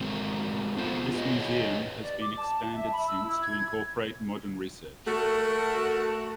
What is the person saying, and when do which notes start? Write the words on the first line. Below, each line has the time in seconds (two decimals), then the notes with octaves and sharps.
This museum has been expanded since to incorporate modern research.
0.01 G#3 A3 C4 F#4 A#4
0.77 B3 F4 C5
1.14 E4 G4 G#4 B4 C#5 D#5
2.01 D5
2.21 D6
2.37 A5
2.75 E5
2.91 B5
3.07 E6
3.23 E4
3.41 G#6
5.07 A3 F#4 A4 A#4